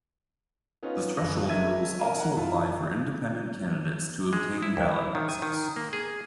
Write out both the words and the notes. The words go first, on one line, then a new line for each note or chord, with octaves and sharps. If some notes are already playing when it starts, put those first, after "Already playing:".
The threshold rules also apply for independent candidates to obtain ballot access.
B3 C#4 D#4 F4
F#1 D3 A#6
F#3 G#3 A#4 E5 G#6 D#7
A#4 F5 D#7
D#3 A#4 F#5
F#1 D#3 E4 F4 A5
G#3
E4
D#2
E3
D#3
G#5
D#3
A#3
G#4